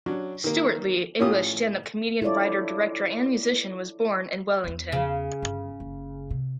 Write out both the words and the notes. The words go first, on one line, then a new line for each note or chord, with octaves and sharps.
Stewart Lee, English stand-up comedian, writer, director and musician, was born in Wellington.
F#3 C#4 D4
D#3 A#3
A2 C#4 F4 G4 D#6
E4 F4 A4 C#5 D5
E2 B3
C#3
G1
F#1
C3